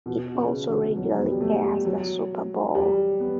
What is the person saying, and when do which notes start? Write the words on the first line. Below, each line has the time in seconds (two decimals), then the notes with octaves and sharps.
It also regularly airs the Super Bowl.
0.06 B2
0.35 C#3
0.66 D3
0.96 F#3
1.18 B3
1.31 G3
1.41 A3
1.63 G3
1.85 F#3
2.75 G3
3.20 B3